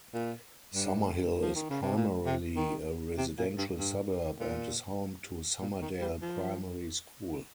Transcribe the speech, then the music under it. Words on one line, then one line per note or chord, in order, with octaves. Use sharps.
Summerhill is primarily a residential suburb and is home to Summerdale Primary School.
A#2
G2
F3
D#3
C#3
C3
A#2
C3
D#3
C3
A#2
G2
G2
A#2
A#2
D#3
G3
F3